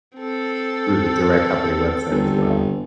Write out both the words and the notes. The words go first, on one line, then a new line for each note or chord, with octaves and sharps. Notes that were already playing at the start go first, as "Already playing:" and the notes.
through the direct company website as well.
C4 A4
G1